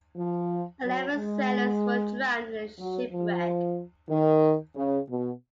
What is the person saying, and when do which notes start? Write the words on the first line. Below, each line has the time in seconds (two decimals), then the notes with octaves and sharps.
Eleven sailors were drowned in the shipwreck.
0.17 F3
0.83 F#3
1.15 G#3
2.79 F#3
3.12 F3
4.10 D#3
4.75 C#3
5.09 B2